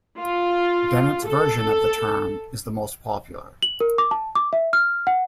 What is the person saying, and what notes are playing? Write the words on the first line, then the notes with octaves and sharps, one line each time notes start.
Dennett's version of the term is the most popular.
F4
A4
F#7
A#4
D6
A5
D6
E5
F6
F#5